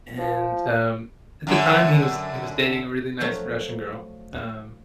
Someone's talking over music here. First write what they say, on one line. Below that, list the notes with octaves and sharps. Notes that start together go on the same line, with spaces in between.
And, um, at the time, he was he was dating a really nice Russian girl, um,
F3
F#2 D3
F3 F#3 A3